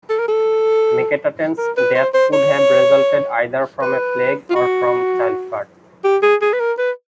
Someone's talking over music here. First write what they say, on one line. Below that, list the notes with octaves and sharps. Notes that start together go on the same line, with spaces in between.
Meketaten's death could have resulted either from a plague, or from childbirth.
A4
A#4
A4
A#4
B4
C5
C5
C#5
B4
F4
F#4
G4
G#4
G#4
B4
A#4
B4